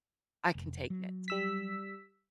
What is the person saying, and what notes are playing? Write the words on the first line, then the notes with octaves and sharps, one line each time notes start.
I can take it.
F1
F#3
G3 E6 B6